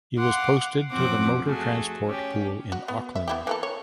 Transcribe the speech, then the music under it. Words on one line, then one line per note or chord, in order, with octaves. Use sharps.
He was posted to the Motor Transport Pool in Auckland.
F5 F#5 C6 D6
F#2 F3 C4 F#5 D6
A3 F#4 G#4 A4
C#4 G4
F#4
B3
E5
B3 E4 G4
E3 A#3 A4
C#5